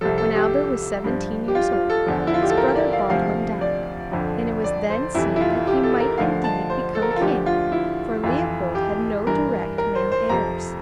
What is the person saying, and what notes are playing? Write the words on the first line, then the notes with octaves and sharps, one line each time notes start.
When Albert was seventeen years old, his brother Baldwin died, and it was then seen that he might indeed become King, for Leopold had no direct male heirs.
C2 C3 F3 A4
A4
G4
G2 F3
G4
F4
F4
A4
E2 D3 F3
E4
F4
G4
A4
A#4
D5
F5
D2 C3 F3 F5
D5
F2 D3 F3
D5
C5
F2 C3 E3 E4
E4
F4
G4
A4
A#4
D2 D3 F3 F5
A5
C5
A4
A#4
A4
F4
D2 D3 F3 G4
F4
E4
F2 E3 F4
G4
G2 E3 A#4
A#4
C5
C5
F2 C3 F3 A#5